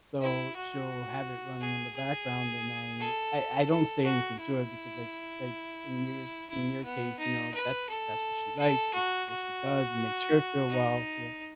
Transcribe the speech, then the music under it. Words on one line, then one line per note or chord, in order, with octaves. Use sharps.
so she'll have it running in the background, and I I I don't say anything to her, because, like like, in your s in you case, you know, that's that's what she likes, it's what she does and makes her feel well, so
E4
F#4
G#4
G#4
A4
A4
F#4
E4
E4
B3
D#4
B4
A4
A4
F#4
F#4
D#4